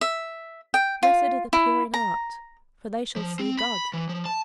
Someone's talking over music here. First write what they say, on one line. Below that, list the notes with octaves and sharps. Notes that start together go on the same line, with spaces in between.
"Blessed are the pure in heart, for they shall see God."
E5
G5
F4
E4
A#5
F3
C4
B5
E3
F3
A5